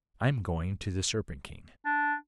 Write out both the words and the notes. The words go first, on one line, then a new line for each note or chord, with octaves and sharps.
'I am going to the Serpent King.'
D4